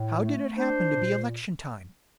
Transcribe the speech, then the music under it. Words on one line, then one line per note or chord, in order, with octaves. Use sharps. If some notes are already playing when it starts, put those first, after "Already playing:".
How did it happen to be election time?
Already playing: A2
A3
D4 C5
A#2